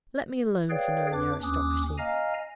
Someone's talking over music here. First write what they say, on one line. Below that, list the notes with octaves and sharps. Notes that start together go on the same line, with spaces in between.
Let me alone for knowing the aristocracy.
G#4 B4 C#5 D5 F5 G5
F2 D4 B4 D6 F#6
D#2 C#4 D6 D#6 F#6
D#5 F5 G#5 A#5 F6